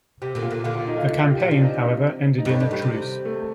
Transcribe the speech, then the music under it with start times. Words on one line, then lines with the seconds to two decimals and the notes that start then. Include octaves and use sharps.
The campaign, however, ended in a truce.
0.22 C3 G4
0.35 A#2 D3
0.43 F4
0.51 A#2 D3
0.64 A#2 D3 F4
0.75 F4
0.87 D#4
0.97 F4
1.08 D#4
1.20 F4
1.30 G4
1.40 A#2 F4
1.51 C3 D4
1.63 D#4
2.38 D#4
2.45 G2
2.49 A2 D#4
2.60 G2 D4
2.71 A2 G3
2.82 C3
3.25 A3